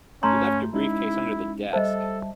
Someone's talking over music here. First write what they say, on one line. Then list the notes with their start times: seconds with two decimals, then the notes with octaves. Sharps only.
You left your briefcase under the desk.
0.23 G#2 A3 C#4 A5 A#5 C6 G6
0.74 G#3 C#4 D#4 E4
1.73 G3 A4 C5 D#5 E5 A5